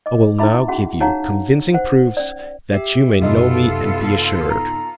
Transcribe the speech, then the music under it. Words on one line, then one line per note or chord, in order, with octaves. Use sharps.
I will now give you convincing proofs that you may know me and be assured.
D#5 D6
C#4 D#4 E4 E5 B5 D6
C#4 F#4 G#4 F#5
D#4 G#4 C#5 F5 F#5 A#5
C5 F#5
C#4 D5
G4 E5
F#2 C3 B3 D#4 F4 A4
A#5